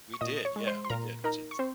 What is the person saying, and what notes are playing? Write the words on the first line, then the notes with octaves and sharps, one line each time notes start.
We did, yeah, we did, which is
C#6
A#2 D#5 D#6
C#5 C#6
G#3
C5 C6
C6
A#2 A#4 A#5
D#4 A#4 A#5
C#6
C4 C5